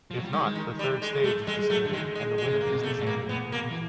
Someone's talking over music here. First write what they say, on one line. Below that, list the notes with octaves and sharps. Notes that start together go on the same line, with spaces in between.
If not, the third stage is disputed, and the winner is the champion.
F3
F#3
G3
D#3 G#3
D#3
G3
G#3
G#3 A3
G3 G#3
F#3 A3
D3
D#3 G#3
G#3
G#3
C#3
A#3
C3
B2
A3
G#2
A2 A#3
A#2 B3
B2 A#3
E3